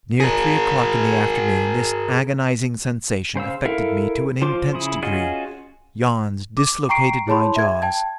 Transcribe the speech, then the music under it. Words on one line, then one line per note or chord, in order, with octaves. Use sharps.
Near three o'clock in the afternoon, this agonizing sensation affected me to an intense degree. Yawns dislocated my jaws.
G#4 A#4
C#3 C5 F5 E6
E4 A4 A#4 E5 F5
F3 F4 C5 C6 D6
C#3 E4 D#6
C#4 F4 F#4 G#4 D#5
D6
G5 A#5 C#6 C7 D7
E4 G#4 C#5 A5 B5 C6
E5 G#6
G5 A5 G#6